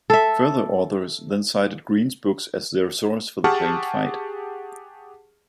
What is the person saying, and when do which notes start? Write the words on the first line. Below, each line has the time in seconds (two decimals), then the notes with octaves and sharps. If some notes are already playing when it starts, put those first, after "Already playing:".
Further authors then cited Green's books as their source for the claimed flight.
0.10 A4 E5
3.44 G4 G#4 F#5 A5 C#6 F6